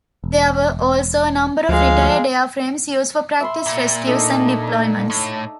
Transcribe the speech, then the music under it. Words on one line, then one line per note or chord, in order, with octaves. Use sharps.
There were also a number of retired airframes used for practice rescues and deployments.
E1
D2 F3 G#3 F5
E5 B5 C6
A#2
D4 D#4 A4
A2